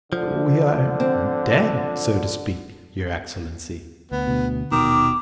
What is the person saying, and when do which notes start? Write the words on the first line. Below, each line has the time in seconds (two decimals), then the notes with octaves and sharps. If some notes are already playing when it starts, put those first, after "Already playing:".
"We are dead, so to speak, your Excellency."
0.13 D3 F3
1.00 C4
4.11 D2 B3
4.27 D2 B2
4.72 D#1 B2 D#3 D6